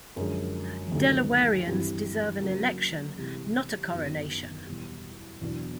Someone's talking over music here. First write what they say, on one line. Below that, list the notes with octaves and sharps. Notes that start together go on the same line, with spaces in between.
Delawareans deserve an election, not a coronation.
F#2 D3 F3 G#3
D2 C3 D#3 F#3 A3
G2 E3 G3 C4 E4
C#3 F#3 A#3
C2 C3 E3 G#3
F#2 D#3 F#3 B3
E2 B2 G3
E2 B2 F#3 B3 D4